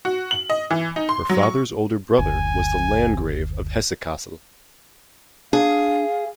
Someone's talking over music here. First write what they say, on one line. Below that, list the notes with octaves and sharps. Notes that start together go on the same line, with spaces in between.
Her father's older brother was the Landgrave of Hesse-Kassel.
F#4
F#7
D#5
E3
D#4
C6
F#3
C#6
F#1 D2 G#5
D4 G#4 F5